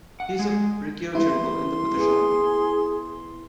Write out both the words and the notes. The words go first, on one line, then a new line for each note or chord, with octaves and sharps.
He was a Brigadier-General in the British Army.
F#5
G#3
E3 G3 B3 E4 C6
B3 G#4